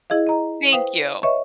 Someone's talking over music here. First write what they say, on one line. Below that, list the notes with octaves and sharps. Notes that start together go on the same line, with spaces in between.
Thank you.
E4 G#4 D#5 F5
D#5 A#5
B4 C5 F5 G5 D#6
B4 C#5 D#5 E5 C#6